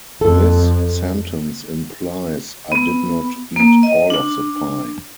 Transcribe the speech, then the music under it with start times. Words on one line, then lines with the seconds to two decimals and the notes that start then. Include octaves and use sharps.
This sentence implies I did not eat all of the pie.
0.21 F2 A4
2.72 B3
3.56 A#3
3.83 D#5
4.10 D4